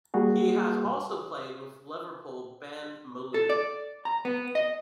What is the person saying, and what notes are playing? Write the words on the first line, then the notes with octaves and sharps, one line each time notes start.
He has also played with Liverpool band Mulu.
G3 A#3 F#4 G#4
A4
D5
A#5
B3
D#5